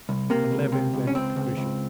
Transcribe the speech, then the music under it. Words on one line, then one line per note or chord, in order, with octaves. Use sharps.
And Levin went to Grisha.
C2
C3 A#3
C#2
C3
C#2
C#4
C#2 C4
C#2
C#2